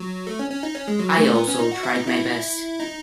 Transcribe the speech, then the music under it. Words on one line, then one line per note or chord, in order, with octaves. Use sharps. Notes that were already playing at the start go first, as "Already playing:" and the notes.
I also tried my best.
Already playing: F#3
A3
C#4
C#4
D#4
C#4
G#3
F#3
A3
B3
C#4
D#4
F#4
E4
D#4
E4
D#4